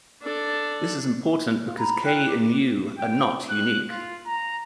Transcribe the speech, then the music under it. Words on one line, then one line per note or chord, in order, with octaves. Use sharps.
This is important because k and "u" are "not" unique.
D4 A4
F4
A#5 B5
E4 G5 F6 F#6
D6
G5
F#6
F4
A#5